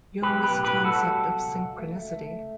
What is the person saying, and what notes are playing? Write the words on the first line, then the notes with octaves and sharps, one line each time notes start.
Jung's concept of Synchronicity.
B1 G4 B4
G4 B4
A2
G4 B4
G3 F#4 A4
B1
C#2
A3
A3